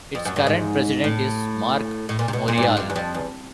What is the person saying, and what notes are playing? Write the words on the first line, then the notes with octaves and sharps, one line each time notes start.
Its current President is Marc Morial.
F2
F#2
G2
G#2
A2
A2
A#2
C3
B2
A#2
G2
G#2
G2
E2
F2
E2